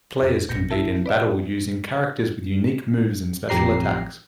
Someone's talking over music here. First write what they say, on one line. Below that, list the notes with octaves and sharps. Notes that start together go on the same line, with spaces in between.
Players compete in battle using characters with unique moves and special attacks.
F2
A1 B2 G6 A#6 C#7
E4 E5 A5
B4 D5 E5
A1 F2 G4 A#5 C7